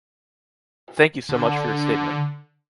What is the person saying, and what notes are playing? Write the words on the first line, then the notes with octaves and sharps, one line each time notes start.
Thank you so much for your statement.
D3